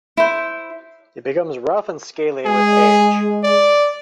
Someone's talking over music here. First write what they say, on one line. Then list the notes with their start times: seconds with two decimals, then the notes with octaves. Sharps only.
It becomes rough and scaly with age.
0.17 E4 C5
2.46 G#3 G#4
3.44 D5